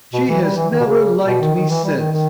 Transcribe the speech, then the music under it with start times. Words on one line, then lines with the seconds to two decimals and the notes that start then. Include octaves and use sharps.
She has never liked me since.
0.13 B2
0.28 E3
0.42 G3
0.56 E3
0.70 D#3
0.80 B2
0.84 C#3
1.27 B2
1.41 D#3
1.55 D#3
1.70 E3
1.84 G3
1.97 D#3
2.12 D#3